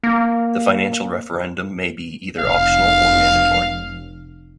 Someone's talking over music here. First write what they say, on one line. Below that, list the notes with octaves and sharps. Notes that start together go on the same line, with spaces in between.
The financial referendum may be either optional or mandatory.
A#3
F1 F5